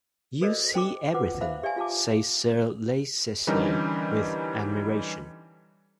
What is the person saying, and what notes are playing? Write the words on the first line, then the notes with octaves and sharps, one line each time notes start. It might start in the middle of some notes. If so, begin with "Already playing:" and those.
"You see everything," says Sir Leicester with admiration.
F#4 A4 A#4 C5 D5 D#5
C5 G5 C6 D6
F4 F#4 B4 C5 F#5 D6
C5 E5 F5 B5
G4 D5 E5 F5 G#5 C6
F4 G4 F5 G#5 A5 D6
D3 E3 G3 C#4 D#4 A#4